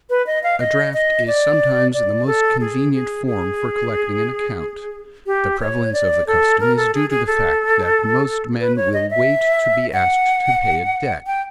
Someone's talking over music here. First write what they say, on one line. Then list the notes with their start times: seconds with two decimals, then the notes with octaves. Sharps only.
A draft is sometimes the most convenient form for collecting an account. The prevalence of the custom is due to the fact that most men will wait to be asked to pay a debt.
0.10 B4
0.27 D#5
0.43 F5
0.60 D#5
0.94 D#5
1.27 D5
1.93 D5
2.27 A4
2.60 G#4
2.93 G#4
3.27 G#4
5.26 G4
5.60 C#5
5.93 D5
6.27 A4
6.60 A#4
6.77 A4
6.94 G#4
7.10 G#4
7.27 A4
8.60 B4
8.77 C#5
8.94 D#5
9.11 E5
9.93 F#5
11.27 G5